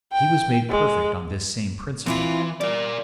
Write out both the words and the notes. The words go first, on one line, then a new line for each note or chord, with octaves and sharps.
He was made perfect on this same principle.
G5
G#3
E3 C4 E4 F4
G3 A#4 D5